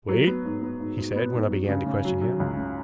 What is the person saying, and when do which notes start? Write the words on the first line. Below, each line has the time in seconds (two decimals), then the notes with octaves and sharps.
"Wait," he said when I began to question him.
0.09 F#3
0.27 B3
0.45 G#2
0.63 B3
0.80 G#2
0.98 G#2
1.16 B3
1.34 G#2
1.50 F#3
1.69 C#3
1.86 C#3
2.05 F#3
2.21 F#3
2.40 C#2
2.57 C#3